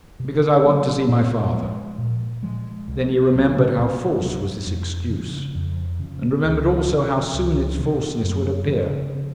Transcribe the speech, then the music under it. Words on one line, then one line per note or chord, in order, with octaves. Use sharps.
'Because I want to see my father.' Then he remembered how false was this excuse; and remembered also how soon its falseness would appear.
C3
F#3 A#3 C#4
A#2
F3 G#3
A#2
F3 G#3
C2
C3 F#3
C2
C3 F#3
F2
C#3 F3
F2
C#3 F3
C#2
C3 F3
C#2
C3 F3
F#2
C#3 F3 C4